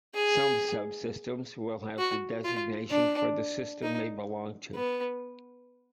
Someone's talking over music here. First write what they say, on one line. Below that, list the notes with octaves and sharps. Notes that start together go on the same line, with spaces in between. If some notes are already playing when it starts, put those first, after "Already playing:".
Some subsystems will have the designation for the system they belong to.
G#4
F#4
F4
D4
D#4
B3